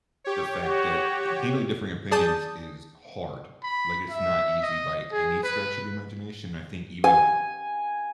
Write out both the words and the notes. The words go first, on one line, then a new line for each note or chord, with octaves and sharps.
the fact that handling differing opinions is hard. Like it's not easy by any stretch of the imagination. I think even
G4 C#5
F#4
G#4 D5 A5 D#6 G6
B5
E5
D#5
G#4
B4
G#5